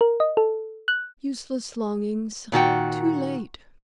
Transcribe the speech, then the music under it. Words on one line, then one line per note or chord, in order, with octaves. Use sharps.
Useless longings! Too late!
A#4
D#5
A4
F#6
A#2 D#3 F#4 G5